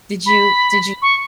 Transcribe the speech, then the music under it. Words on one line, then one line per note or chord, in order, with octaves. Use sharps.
did you did you
B5
C#6